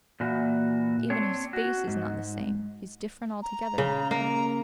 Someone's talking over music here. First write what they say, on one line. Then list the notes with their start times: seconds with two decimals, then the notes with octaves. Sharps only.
Even his face is not the same; he's different altogether.
0.20 A#2 E3 F#4
1.10 C4 D4 C#5
1.53 F#4
1.88 G#2
3.43 A#5
3.78 C#3
4.11 A#3 A#5